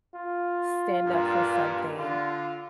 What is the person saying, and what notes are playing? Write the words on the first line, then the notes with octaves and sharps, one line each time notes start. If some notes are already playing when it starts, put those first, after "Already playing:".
stand up for something,
F4
G2 A#2
D3 F4